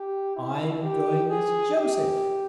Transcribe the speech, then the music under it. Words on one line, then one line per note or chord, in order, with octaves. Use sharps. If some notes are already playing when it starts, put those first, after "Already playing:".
I am going as Joseph.
Already playing: G4
E4
G4
G#4
G4